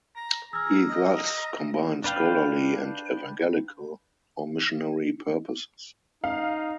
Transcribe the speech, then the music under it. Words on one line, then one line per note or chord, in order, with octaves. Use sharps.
He thus combined scholarly and evangelical or missionary purposes.
A#5
G#4 A#5 E6 F6
D#5
D4 B4 F5 G5
D#4 F5